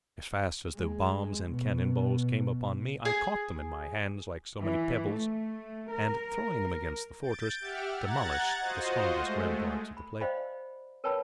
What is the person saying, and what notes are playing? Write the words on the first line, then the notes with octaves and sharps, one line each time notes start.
As fast as the bombs and cannon-balls came upon me, I caught them in my hands like so many pebbles, and throwing them against the fortress, demolished the strongest ramparts of the place.
G#3
B2
G#4
E3
A3
A#4
G6 A6 D7
G4 E5 F#5 F6
F#5 A#5 F#6 G#6 A6
F4 F#4 C5 D#5
G#3 A3
B5
C5 D5 D#5 F5 G5 B5
A#4 B4 C#5 G5 A5 B5